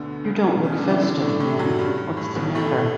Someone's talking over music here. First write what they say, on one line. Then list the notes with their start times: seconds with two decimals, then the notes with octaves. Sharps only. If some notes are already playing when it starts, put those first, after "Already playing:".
You don't look festive, ma'am; what's the matter?
Already playing: D2 B2 D3 B3
0.25 C#2 C#3
0.44 B2 B3
0.63 C#3 C#4
0.76 D3 D4
0.89 E3 E4
1.02 D3 D4
1.21 A2 A3
1.40 A2 A3
1.59 F#2 F#3
1.79 G2
1.98 G2
2.17 A2
2.36 B1 B2
2.55 A2 A3